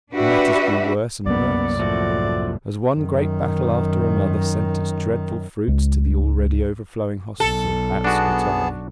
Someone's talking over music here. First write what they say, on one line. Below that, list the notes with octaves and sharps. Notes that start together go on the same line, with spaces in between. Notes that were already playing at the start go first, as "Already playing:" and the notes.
And matters grew worse and worse, as one great battle after another sent its dreadful fruits to the already overflowing hospital at Scutari.
D4 F#4 G4 B4 E5
C2 F#2 A#3 B3 D5
A2 F3 A3 F#4
F#2 D#3
C#2
B1 A4
B3 D4 F#4 G#4 A5